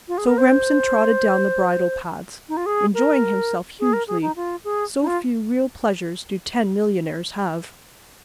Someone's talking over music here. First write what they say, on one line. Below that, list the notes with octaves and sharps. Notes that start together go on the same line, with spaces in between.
So Remsen trotted down the bridle paths, enjoying himself hugely, so few real pleasures do ten-millionaires have.
F4
G#4
A#4
C5
D#4
F4
G#4
A#4
G#4
A#4
G#4
D#4
F4
G#4
D#4
F4